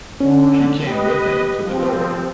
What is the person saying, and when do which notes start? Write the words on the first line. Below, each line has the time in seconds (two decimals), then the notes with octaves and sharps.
She came with him to the door.
0.20 D3 C#4
0.87 G4 B4 D#5
1.62 F3 C4